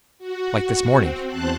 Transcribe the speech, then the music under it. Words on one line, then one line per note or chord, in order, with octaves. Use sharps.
"Like this morning."
F#4
C4
E2 C5 A5 F#6